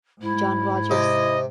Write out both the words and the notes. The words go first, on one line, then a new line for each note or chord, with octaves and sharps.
John Rogers.
G#2 E4
C3 D#5